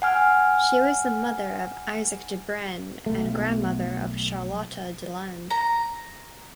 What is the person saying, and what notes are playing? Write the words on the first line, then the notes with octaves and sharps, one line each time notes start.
She was the mother of Isaac de Broen and grandmother of Charlotta Deland.
F#5 G#5 F6
B1 A3
A#5